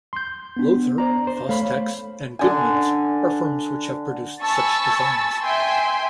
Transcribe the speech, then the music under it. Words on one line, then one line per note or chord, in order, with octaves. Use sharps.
Lowther, Fostex, and Goodmans are firms which have produced such designs.
C6 G6
B3 D4
C5 D5 A#5
C5
A3 C#5 F5 B5
D3 G#5
G#5 A5 B5 C#6 E6 A6
E5 G5 G#5 C6